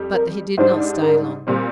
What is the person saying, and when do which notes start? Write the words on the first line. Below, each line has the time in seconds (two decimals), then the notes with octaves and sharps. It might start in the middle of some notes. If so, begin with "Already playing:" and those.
But he did not stay long.
Already playing: F2 G3
0.14 A#4
0.58 G#2 G3 D4 C5
1.03 A#4
1.47 A#2 G3 C4